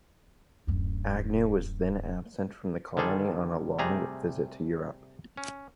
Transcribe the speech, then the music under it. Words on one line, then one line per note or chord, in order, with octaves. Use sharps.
Agnew was then absent from the colony on a long visit to Europe.
D1 F#2
D3 D#3 G3 G#4 A4
C3 G3 A3 G#4 A#5
C#4